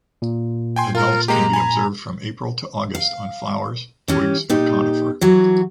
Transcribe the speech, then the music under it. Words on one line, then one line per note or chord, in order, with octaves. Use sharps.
Adults can be observed from April to August on flowers, twigs of conifer.
A#2
G5 G#5 C6
F4 A#4
G#3 A#3 G4 A#5
G#5 B5
F5
E3 C#4 G4
A#2 D#4 G4
E3 F#3 F#4